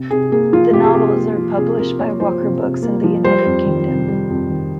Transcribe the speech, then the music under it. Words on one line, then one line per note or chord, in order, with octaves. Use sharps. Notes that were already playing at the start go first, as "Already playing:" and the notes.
The novels are published by Walker Books in the United Kingdom.
Already playing: C3
C3 G#4
A#3 G#4
F3 F4
C3 G4
G#4
C3 G4
A#3
F3
C3 G#4
C3 A#4
A#3 C#5
F3 C5
C3
C3
A#3
F3
G3 C5
F2
D#3
C3
G3
F2
D#3